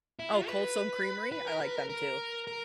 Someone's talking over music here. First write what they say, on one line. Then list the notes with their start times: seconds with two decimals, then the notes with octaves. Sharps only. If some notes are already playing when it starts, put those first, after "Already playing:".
Oh, Cold Stone Creamery? I like them too.
0.19 E4
0.33 F4
0.48 B4
1.32 B4
1.47 A#4
1.61 B4
1.76 A#4
1.89 A#4
2.47 A#4